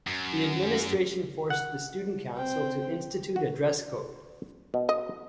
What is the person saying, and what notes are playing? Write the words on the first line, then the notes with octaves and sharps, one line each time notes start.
The administration forced the student council to institute a dress code.
F#2
F#5
C4 G5
F#4
B2
D#5